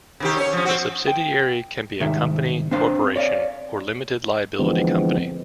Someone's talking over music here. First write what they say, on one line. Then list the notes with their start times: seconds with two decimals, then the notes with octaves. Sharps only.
The subsidiary can be a company, corporation, or limited liability company.
0.20 C3 D#3 G4
0.36 C#4 C#5
0.53 F3 C#4
0.65 C4 F#4
1.08 G5
2.00 C2 G#2 D#3 E5
2.71 C4 D4 C5 F5
3.16 C#5 D5 F5
4.59 D3 E3 F3 G#3 B3 C4